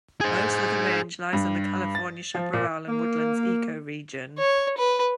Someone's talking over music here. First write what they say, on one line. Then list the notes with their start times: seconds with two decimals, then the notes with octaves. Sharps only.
Most of the range lies in the California chaparral and woodlands ecoregion.
0.21 G#4 C5
1.33 G2
1.95 A6
2.35 F3
2.53 A#2
2.88 A#3
4.38 C#5
4.77 B4